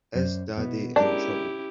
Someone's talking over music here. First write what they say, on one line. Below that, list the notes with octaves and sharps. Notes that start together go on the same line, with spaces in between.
Is Daddy in trouble?
F#2 C5 D5
B2 B3 E4
G#3 C#4 D4 E4 G4 A#4